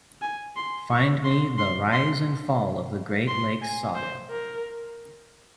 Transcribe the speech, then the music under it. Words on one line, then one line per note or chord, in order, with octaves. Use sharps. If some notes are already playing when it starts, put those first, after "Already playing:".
Find me The Rise and Fall of the Great Lakes saga.
G#5
C6
C#6
C6
C6
C6
C6
G#5
C5
A#4